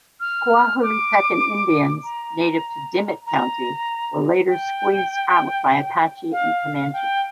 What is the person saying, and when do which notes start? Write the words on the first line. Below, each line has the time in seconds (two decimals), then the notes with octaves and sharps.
Coahuiltecan Indians native to Dimmit County were later squeezed out by Apache and Comanche.
0.20 F6
0.82 D6
2.04 A#5
3.26 A#5
4.48 G5
6.32 F5
6.93 G5